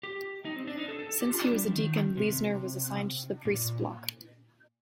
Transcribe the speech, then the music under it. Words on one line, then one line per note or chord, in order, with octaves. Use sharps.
Since he was a deacon, Leisner was assigned to the priests' block.
G4
D#4
C4
D4
D#4
A4
A4
A4
G4
F4
D4
G3
F3
D#3
C3
A#2